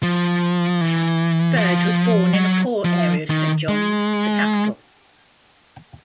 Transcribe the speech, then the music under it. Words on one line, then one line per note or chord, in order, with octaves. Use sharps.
Bird was born in a poor area of Saint John's, the capital.
F3
E3
F3
F#3
F3
D#3
G#3